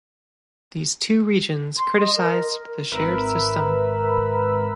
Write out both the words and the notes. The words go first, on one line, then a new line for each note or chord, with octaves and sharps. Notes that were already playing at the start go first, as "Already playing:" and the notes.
These two regions criticized the shared system.
C6
D#5
A#4
G#1 A#4 B4 E5 B5 E6